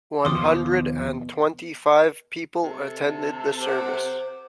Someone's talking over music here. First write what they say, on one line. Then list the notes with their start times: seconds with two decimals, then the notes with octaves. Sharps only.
One hundred and twenty-five people attended the service.
0.25 D#2 B2 F3 C6 D6 D#6
2.63 C3 A4
3.61 C5 F#5 D6